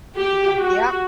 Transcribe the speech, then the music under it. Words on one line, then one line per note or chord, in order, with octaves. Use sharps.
he's like, "Yep.
G4
F#4